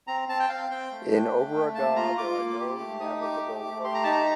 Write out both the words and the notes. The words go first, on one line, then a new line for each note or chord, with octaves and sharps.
In Oberallgäu there are no navigable waterways.
C4 A#5
C4 A5
G5
C4 F5
C4 G5
A3
D4
A3
A3
A#3 A5
F4 A#5
F4 D6
A#3
G4
A3
D#4 D#6
G4 D6
A3
A3
G4 C6
A#5
D#4 A5
A#5